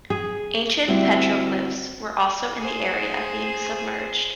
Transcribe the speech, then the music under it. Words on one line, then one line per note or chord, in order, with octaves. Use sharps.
Ancient petroglyphs were also in the area being submerged.
G#4
D2 G3 C4 E4 F#4 E5
G#4 C5